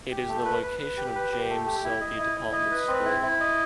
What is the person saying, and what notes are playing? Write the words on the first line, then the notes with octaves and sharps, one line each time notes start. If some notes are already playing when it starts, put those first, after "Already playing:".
It is the location of James Selby department store.
G4
A3
B4
B4
B4
G4
B4
G4
A3
G4
E4
D#5
E4
E4
D#5
B4
C4
E4
E4
D#5